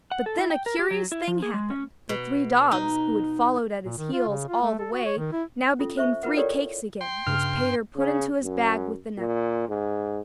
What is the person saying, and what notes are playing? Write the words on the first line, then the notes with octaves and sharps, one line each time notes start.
But then a curious thing happened; the three dogs, who had followed at his heels all the way, now became three cakes again, which Peter put into his bag with the napkins.
F#5
A4
E4
G5
A#4
G4
F#3
E4
F3
G#4
G#3
C#4
B2
D#4
A#2
D#3
F4
C#3
F4
A3
A4
F#4
C#5
D#3
E4
C#4 F4 A4
C5 E5 C#6
E4 F4 A#4 B4 F#5
G4 A4 A#4 C#5 D5 G5
G5 C6
G2 C#3 F6
C#3
F#2
A#2
G#2